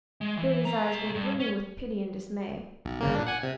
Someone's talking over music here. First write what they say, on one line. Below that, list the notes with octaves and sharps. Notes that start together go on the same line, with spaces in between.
Billy's eyes were brimming with pity and dismay.
G#3
E3
B2 A#5
G2
C#4
B1
G1 C#3 A#3
A#2 D4
F#5 G#5
C3